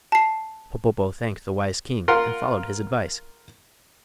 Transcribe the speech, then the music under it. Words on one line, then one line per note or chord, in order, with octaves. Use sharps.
Popopo thanked the wise king and followed his advice.
A5 C7
F4 A#4 F#5 C6